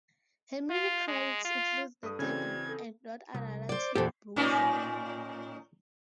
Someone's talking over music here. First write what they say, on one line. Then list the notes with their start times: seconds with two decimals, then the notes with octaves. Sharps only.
Her movie credits include "The Debut" and "Not Another Teen Movie".
0.70 F4
1.08 G#3
1.45 F4
2.03 G2 A4 D#6
2.19 C#3 E3 C4 C#4 F#4 D5 G#6
2.68 A4 D#6
3.34 C2
3.69 C5 D5
3.95 E2 A#2 G4 A4 C5
4.36 A2 C#4 D#4